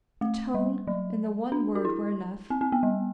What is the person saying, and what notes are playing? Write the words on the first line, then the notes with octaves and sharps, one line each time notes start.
The tone and the one word were enough.
A3
G3
F#3
D4
F#4
E4
C4
C4
B3
G3